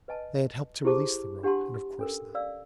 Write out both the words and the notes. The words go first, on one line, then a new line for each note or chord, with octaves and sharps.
They had helped to release the rope, and of course not.
B4 D#5 G#5 A5
E4 G4 G#4 C5 A5 D6
D4 G4 F#5 A5 C6
C#4 A4 A#4
D5 F5 E6